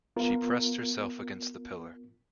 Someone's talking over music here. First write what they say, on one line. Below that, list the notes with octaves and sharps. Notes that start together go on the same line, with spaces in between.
She pressed herself against the pillar.
B3 F4 A#4